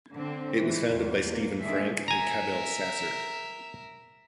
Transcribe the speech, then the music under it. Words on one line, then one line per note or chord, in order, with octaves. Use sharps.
It was founded by Steven Frank and Cabel Sasser.
D3 C4
E3 G#3
E2 G3
A#3
A#2 D#3 G#3 D4 G#4 E5
A#4 E5 G#5 A#5